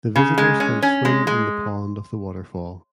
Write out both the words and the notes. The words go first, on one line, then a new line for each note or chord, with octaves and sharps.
The visitors can swim in the pond of the waterfall.
C#3
G#3
C#4
C#4
G#3
G#3